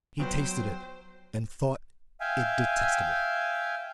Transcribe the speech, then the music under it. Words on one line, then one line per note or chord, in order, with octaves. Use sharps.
He tasted it, and thought it detestable.
F#3 B3 F4 C5 G5
E5 F5 G5 G#5